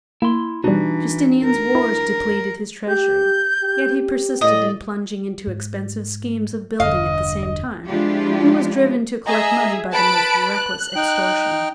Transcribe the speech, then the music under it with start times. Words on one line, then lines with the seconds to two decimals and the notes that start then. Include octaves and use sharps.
Justinian's wars depleted his treasury; yet he persisted in plunging into expensive schemes of building at the same time, and was driven to collect money by the most reckless extortion.
0.22 A#3 E4 C6
0.64 B2 E3 G3 D4 D#4 F#4
1.45 A#4
1.75 E4
2.88 G4 G6
3.61 G4
4.41 A2 D5 D#5
5.47 G#2
6.80 E1 G2 D3 D#5 F5
7.87 F3 G#3 D4 E4 F4 G4
9.26 G#4 D#5 E5 A#5
9.93 B4 A5 B5 D7
10.56 F#6
10.95 D#4 G5